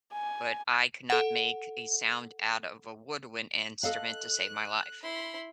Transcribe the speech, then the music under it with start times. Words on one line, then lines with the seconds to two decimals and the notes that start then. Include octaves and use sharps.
but I could not make a sound out of a woodwind instrument to save my life.
0.13 G#5
1.10 A4 F#5
3.83 A4 D#5 F5 F#6
5.03 E4 B5 C6